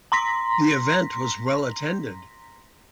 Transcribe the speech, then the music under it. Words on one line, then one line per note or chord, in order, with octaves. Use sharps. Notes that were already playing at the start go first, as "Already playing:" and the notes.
The event was well attended.
A#5 C6 A#6 B6